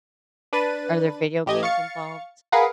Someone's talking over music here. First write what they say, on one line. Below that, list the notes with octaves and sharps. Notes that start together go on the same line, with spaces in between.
Are there video games involved?
D4 B4 A6 D#7
A1 G4 D#5 G#6
F5 C#6 A6 C#7
G#4 A#4 B4 F5 F#5